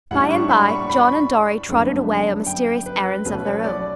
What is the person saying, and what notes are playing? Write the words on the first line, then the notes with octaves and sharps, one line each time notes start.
By and by John and Dorry trotted away on mysterious errands of their own.
A2 G3 D4 F#5
C#6
B5
C#6
B5
G1 F#2 D3 A3 D4
G5
B4
B1 B2 A3 C#4 B4
C#5
D5